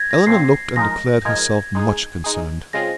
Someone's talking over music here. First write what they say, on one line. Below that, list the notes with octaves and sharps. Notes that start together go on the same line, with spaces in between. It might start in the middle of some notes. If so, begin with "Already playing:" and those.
Eleanor looked and declared herself much concerned.
Already playing: G#6 A#6
A#6
A#2 F3 C4 C7
F3 G#3 D#4 A#4 A#6
F3 G#3 D#4 A#4 G#6
G#3 D#4 G#4
G#3 D#4 G#4
C#3 G#3 C4 F4 G#4 A#6